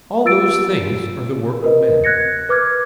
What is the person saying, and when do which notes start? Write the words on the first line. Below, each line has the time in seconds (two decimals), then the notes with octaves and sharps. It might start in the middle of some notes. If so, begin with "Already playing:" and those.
All those things are the work of men.
0.25 F4 E6 A6 D7
1.62 A#4 B4 D#5
2.04 F#6 G#6 A#6 C#7
2.49 B4 D6 F6 G#6